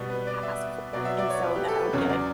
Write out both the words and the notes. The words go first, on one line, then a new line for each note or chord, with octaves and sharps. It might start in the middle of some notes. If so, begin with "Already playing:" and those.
ask for it, and so then I would get
Already playing: B2 G3 B3
B4
D5
E5
B2 F#3 B3 D5
E5
D5
C#5
B4
G4
A4
B4
E2 C#3 F#3 C#5
D5